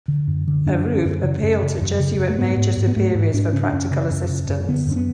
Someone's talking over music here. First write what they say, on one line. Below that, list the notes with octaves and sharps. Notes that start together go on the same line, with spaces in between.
Arrupe appealed to Jesuit major superiors for practical assistance.
D3
F#2
D3
F#2 D4
D3
C#4
F#2
C#3
F#2
C#3
F#2
C#3
F#2
A3
G#2 B3
G#2
G#2
B3
G#2 A3
G#2
G#2 D4
C#3 C#4
D4
F#2 C#4
C#3
F#2
C#3
F#2
D3 B3
F#2 C#4
B3